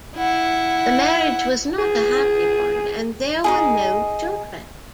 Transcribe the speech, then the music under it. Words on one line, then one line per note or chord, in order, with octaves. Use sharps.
The marriage was not a happy one, and there were no children.
E4 F#5
G#4
D#4 E4 G#4